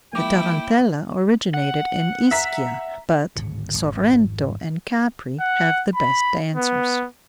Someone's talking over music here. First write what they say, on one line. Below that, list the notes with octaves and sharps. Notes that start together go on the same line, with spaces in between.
The Tarantella originated in Ischia, but Sorrento and Capri have the best dancers.
F3 G#3 A#3 E4 G5 D6
F#5
E5 A#5 B6
D1 G#1 C#3
G#1 F2
F#5
B5
B3